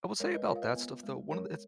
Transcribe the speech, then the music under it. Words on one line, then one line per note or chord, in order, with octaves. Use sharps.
I will say about that stuff though, one of the it's
G#3 A#4 C#5
B4 D#5
F4 A#4 C#5
F5
B4 D#5
B3
G#3
G#3 A#4 C#5